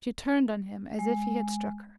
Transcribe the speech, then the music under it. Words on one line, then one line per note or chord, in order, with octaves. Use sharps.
She turned on him as if he had struck her.
G#3